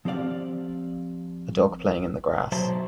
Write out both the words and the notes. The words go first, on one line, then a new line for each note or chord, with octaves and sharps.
A dog playing in the grass.
F3 C4 G4 D5 F5
B1 F#3 C5 E5 A5 A#5